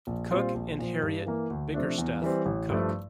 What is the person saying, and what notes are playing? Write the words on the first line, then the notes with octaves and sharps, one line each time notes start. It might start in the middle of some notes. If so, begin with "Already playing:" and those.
Cook and Harriet Bickersteth Cook.
A#1
A#2 G3 C4 F4
A#1
A#2 F3
G2
E3 A#3
D2
C3 F3 A3 D4
E2
E3 G3 C4
A1
G2 F3 A3